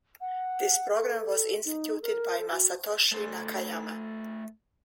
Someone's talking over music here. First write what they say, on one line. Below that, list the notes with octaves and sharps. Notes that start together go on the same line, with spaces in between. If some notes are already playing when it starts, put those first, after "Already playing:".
This program was instituted by Masatoshi Nakayama.
F#5
A4
D#4
A#4
A4
F#4
A3 C5